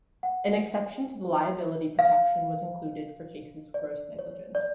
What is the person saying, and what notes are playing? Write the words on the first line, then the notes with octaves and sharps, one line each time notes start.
An exception to the liability protection was included for cases of gross negligence.
F#5
F5
D5
C#5
D5